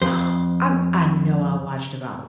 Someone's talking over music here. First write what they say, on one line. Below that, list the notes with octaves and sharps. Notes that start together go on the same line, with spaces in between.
Oh, I I know I watched about
F2 C5